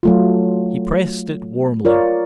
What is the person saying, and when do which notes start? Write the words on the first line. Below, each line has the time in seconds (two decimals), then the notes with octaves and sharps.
He pressed it warmly.
0.03 F#3 A3 F4
1.85 F4 A#4 C#5 D5